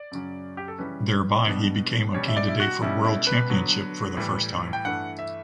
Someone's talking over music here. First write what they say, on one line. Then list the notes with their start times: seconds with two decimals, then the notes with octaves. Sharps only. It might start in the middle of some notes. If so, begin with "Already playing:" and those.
Thereby he became a candidate for world championship for the first time.
Already playing: D5
0.11 F#2 C#3 F#3 C#4
0.57 G4
0.68 A4
0.78 C#3 E3 G3 C#4 B4
1.47 B2 G3 B3 D4
2.14 B2 G3 C#4 C#5
2.28 E5
2.37 D5
2.49 E4
2.60 F#4
2.82 B2 G3 C#4 E4
3.05 E4
3.27 B4
3.50 D3 F#3 B3 D4
4.17 A2 E3 G3
4.73 G5
4.85 G2 E3 A3 F#5
5.19 E5